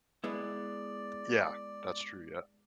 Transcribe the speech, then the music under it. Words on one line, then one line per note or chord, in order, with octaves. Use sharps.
Yeah. That's true. Yeah.
G#3 B3 E4 D5